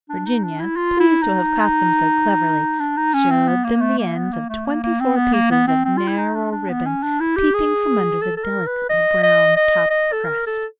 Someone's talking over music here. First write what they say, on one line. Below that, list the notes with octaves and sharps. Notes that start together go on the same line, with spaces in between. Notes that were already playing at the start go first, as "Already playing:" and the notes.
Virginia, pleased to have caught them so cleverly, showed them the ends of twenty-four pieces of narrow ribbon, peeping from under the delicately brown top crust.
D4
D#4
D4
E4
F4
E4
D#4
D4
D#4
C#4
C4
B3
A#3
A3
A#3
B3
A#3
A3
A#3
A#3
C4
B3
A#3
B3
C4
C4
F4
E4
D#4
D4
D4
B3
C#4
D4
E4
G4
G#4
A4
A4
A#4
B4
D#5
D#5
D#5
D#5
A4
A#4
A4